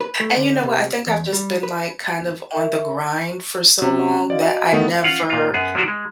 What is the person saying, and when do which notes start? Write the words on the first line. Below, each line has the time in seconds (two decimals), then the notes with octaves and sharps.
and you know what? I think I've just been, like, kind of on the grind for so long that I never
0.01 B4
0.20 A3
0.36 D3
0.63 C3
1.07 E2
1.33 G3
1.63 B4
2.54 A#4 E5
2.79 C#6
3.82 C3 C#4
4.30 F#4 D5 D#5 F5
4.73 D#3 A3 B3
5.03 C#4 F4 F5 F#5
5.29 A#2 F4
5.54 F#2 B3 G#4
5.75 F3 F#3 B3 D4 F#4 G4
5.88 G#3